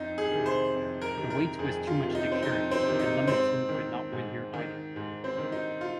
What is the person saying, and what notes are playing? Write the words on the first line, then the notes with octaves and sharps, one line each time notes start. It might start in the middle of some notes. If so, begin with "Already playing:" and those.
The weight was too much to carry, and Leamington could not win here either.
Already playing: F2 D#4
G#4
C3 D#3
C5
F2
A#4
C3 D#3
A#4
F2 G#4
F4
C3 D#3
D#4
C4
F2 D#4
C4
C3 D#3
D#4
G#2 C4
D#3
G#2
D#3
G#2
C4
D#3
D#4
F4